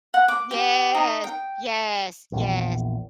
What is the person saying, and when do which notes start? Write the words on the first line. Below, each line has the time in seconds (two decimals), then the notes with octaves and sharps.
Yes. Yes, yes.
0.14 F#5
0.28 D6
0.51 G4
0.95 D#4
1.24 G5
2.32 A#1 E2